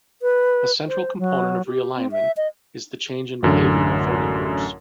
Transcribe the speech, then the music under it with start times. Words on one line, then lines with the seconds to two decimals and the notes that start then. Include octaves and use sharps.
A central component of realignment is the change in behavior of voting groups.
0.22 B4
0.88 C5
1.19 F#3
1.67 G4
1.96 C4
2.12 E5
2.37 D#5
3.42 A1 F#2 D3